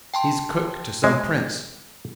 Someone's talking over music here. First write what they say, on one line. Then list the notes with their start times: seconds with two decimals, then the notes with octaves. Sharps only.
"He's cook to some prince."
0.14 G5 A5 C6
1.04 G#3